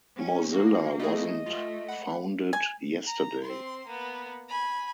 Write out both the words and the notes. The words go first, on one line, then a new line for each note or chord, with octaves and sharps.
Mozilla wasn't founded yesterday.
C#4
A#3 F#4
A3 E4 G#4 D#5
A3 F4
F#5 B5
G#5
A#5
C4 C6
A#3 B3
G#5 B5